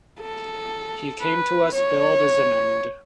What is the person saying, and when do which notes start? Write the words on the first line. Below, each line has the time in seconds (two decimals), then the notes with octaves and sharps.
He came to us billed as an end.
0.20 A4
1.22 B4
1.73 C#5